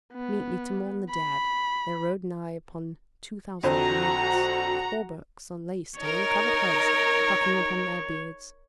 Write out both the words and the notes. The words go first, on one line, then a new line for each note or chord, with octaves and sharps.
Meetly to mourn the dead there rode nigh upon two thousand knights, with hauberks unlaced, and uncovered heads, plucking upon their beards.
B3
B5
F2 D3 F#4 C5 F#5 A#5
D#4 A#4 C#5